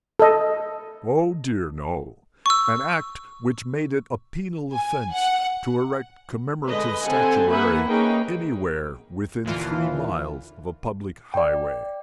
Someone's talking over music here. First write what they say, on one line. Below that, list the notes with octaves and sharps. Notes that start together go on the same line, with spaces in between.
"Oh dear, no. An Act which made it a penal offence to erect commemorative statuary anywhere within three miles of a public highway."
A4 D#5
C#6 E6
G#5
F#5
D3 G#3 B4 D#5
D3 C4 G4 A4 F#5 G#5
A#3 B4 E5 F#5 G#5
A#3 C#4 D#4 G#4 B4 G5
D#2 A#2 D3 E3 F4
D5 G5